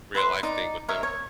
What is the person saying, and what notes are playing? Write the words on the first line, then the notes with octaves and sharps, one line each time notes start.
real life thing with them.
B4 E5 C6
D#4 D5
A#4 C#5 D#5 E5
C#5